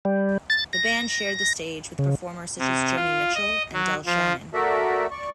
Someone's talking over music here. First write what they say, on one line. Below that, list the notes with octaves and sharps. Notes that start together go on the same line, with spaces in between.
The band shared the stage with performers such as Joni Mitchell and Del Shannon.
G3
A6
A#6
C#3
C3
F4
D#5
F#3
F3
A3 F#4 A4 A#4 D5 E5
D5 C#6